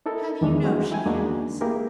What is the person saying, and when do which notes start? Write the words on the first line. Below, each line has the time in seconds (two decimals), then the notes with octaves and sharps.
"How do you know she has?"
0.06 D#4 E4 A4 A#4
0.41 E2 D#3 E3 G#3 D4
0.64 G3 G#3 C4 E4 F#4
0.91 E4 G5 G#5
1.05 E2 G#3 A#3 D4 D#4 F#4
1.61 A#3 E4 G4 G#4 A#4 B4